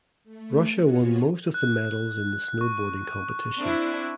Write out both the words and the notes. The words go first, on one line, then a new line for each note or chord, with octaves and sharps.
Russia won most of the medals in the snowboarding competition.
A3
B3 F4 F#4 C#5
F#6
C#6
C4 D4 E4